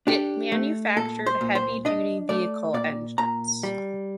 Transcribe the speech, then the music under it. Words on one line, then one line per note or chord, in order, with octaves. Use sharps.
It manufactured heavy duty vehicle engines.
D4 G4
A3
A#2 A4
C5
A#2
C5
D4 D#5
A3 D5
A#2 D5
A#2 A#5
G3